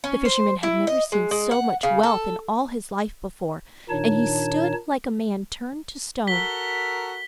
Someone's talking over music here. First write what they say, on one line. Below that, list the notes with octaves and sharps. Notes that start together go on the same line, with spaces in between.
The fisherman had never seen so much wealth in all his life before, and he stood like a man turned to stone.
C#4
C5
E4
D#5
G#3
G#3
F#5
C#3
A4
A#2 D#3 D4 D#4 C#5 A5
F#4 A4 A#4 B6 G7